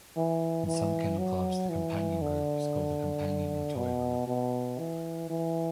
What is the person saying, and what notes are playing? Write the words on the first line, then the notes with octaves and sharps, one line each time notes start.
In some kennel clubs the "Companion Group" is called the "Companion and Toy Group".
E3
E3
F#3
E3
D3
B2
B2
E3
E3